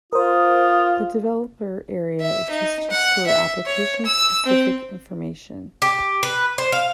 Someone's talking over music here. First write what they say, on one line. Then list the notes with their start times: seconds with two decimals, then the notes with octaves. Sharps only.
The developer area exists to store application-specific information.
0.13 F4 A#4 C5 D#6
2.20 E5
2.50 D#4
2.90 F#5
3.26 E5
3.66 C#5
4.06 E6
4.46 C4
5.82 G4
6.23 B4
6.58 C5
6.72 F5